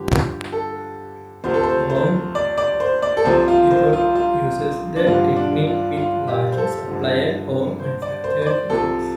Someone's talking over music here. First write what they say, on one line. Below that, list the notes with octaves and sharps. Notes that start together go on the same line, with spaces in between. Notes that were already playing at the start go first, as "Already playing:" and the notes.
Home Depot uses the technique with larger suppliers of manufactured goods.
Already playing: G2 D3 F3 G4
A4
D2 C3 F3 C5
A4
C5
C5
D5
D5
C5
D5
A4
C2 C3 F3 C5
F4
C5
F4
F4
D4
G2 D3 F3 F4
D4
F4
F4
G4
C5
A4
G2 D3 F3
C5
D5
C5
C5
D5
C2 C3 F3 A4